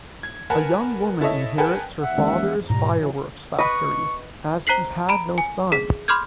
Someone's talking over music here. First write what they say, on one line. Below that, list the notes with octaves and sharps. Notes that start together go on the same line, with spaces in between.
A young woman inherits her father's fireworks factory, as he had no son.
G#6
A#4 B4 F#5 G#5 A5
E4 A4 C#5 D#5 E5
G#4 A#4 B4 F#5 G5 A5
D#2 E5 F#5
E3 G#3 C#4
E2 G#2
D2 G#2 B2 G3 A#5
A2 E3 F#3
B4 D#5 C#6
C5 A#5 F#6 B6 C7 F#7
A#5 B5 D7
G#5
G#4 B6
B5 C6 D6 F6 G6 G#6